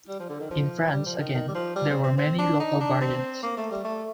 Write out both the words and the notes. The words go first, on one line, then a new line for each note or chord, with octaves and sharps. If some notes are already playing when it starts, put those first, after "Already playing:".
In France, again, there were many local variants.
G3
F3
D3
D#3
F3
G3
F3
D#3
D#3
G3
F3
G3
C4
C4
C4
D4
D#4
D4
C4
A#3
A3
G3
A3